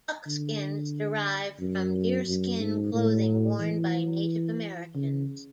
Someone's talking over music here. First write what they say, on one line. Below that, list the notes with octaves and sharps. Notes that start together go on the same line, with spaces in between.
Buckskins derive from deerskin clothing worn by Native Americans.
D3
F#2
F#2
G#2
A2
E3
C#3